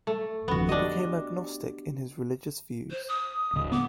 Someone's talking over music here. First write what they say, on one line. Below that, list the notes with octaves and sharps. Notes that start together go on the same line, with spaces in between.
He became agnostic in his religious views.
A3
G#1 F2 D3 B3 F#4
D4 G4 D#5
C5
D#6
D1 D2
B3 D6